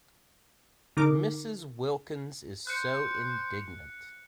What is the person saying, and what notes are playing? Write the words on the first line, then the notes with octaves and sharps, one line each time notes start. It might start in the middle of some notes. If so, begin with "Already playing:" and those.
Mrs. Wilkins is so indignant.
D3 D#4 A#4 D6
C5 F#6 C#7